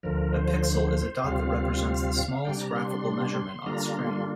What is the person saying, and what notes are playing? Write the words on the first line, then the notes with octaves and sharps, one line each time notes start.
A pixel is a dot that represents the smallest graphical measurement on a screen.
D2 D3 F3 A#4
C5
D2 C3 G3 C4 F4 F5
C3 G3 D4 G5
A#5
C6
C6
D3 G3 A#3 D4 F4 A#5
C6